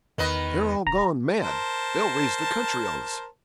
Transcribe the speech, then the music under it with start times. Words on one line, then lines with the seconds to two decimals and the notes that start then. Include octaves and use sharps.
'They're all gone mad--they'll raise the country on us.
0.18 E2 D#3 B4 D#5
0.87 D#1 A#5
1.41 A#4 C5 A5